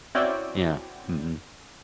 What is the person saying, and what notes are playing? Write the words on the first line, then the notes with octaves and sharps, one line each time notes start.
Yeah, mhm.
C4 C#4 E4 F#4 D5 G5